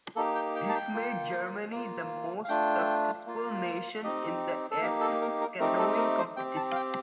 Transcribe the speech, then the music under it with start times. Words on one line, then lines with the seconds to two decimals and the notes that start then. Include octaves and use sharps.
This made Germany the most successful nation in the Athens canoeing competition.
0.16 A#3 D#4 G4 A4
0.35 G5
0.56 G5
0.69 A5
0.75 G5
0.94 A#3 F4
1.72 A#3 F4
2.44 F5
2.48 A3 D4 F4 G5
3.26 A#3 F4
4.04 C4 D#4 G4 D#5
4.71 A4
4.81 A#3 D#4 G4 A#4
5.01 A4
5.21 A#4
5.41 A#4
5.59 A3 C4 D#4 G4 A#4
5.79 A4
5.98 A#4
6.18 C5
6.37 C4 G4 G5
6.56 A5
6.72 F5
6.76 G5